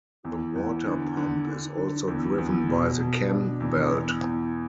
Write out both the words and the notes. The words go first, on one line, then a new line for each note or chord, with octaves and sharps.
The water pump is also driven by the cam belt.
E2
E2
D3
D3
D3
D3
E2
E2
B2
B2
D4
E2
E2
E2